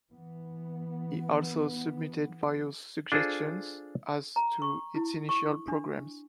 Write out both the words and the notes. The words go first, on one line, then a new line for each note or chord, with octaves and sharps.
He also submitted various suggestions as to its initial programs.
E3 B3
D4 F4 G#4 A4 C5
A#5
C#6
E4
C#6
D4